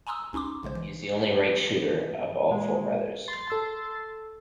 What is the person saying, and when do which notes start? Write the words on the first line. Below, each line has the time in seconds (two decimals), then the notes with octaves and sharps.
He is the only right shooter of all four brothers.
0.07 G#5 A#5 C6 D#6 E6
0.33 C#2 C#4 D#4 C6 D6
0.63 A#1 C#3 G#3 C5
0.75 E3
2.49 A#2 G#3
3.28 C6 A6
3.50 A4 E6